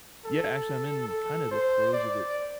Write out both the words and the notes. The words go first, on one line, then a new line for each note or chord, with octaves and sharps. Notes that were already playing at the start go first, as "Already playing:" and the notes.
Yeah, actually, I'm in kind of the throes of it
A4
A4
C5
D5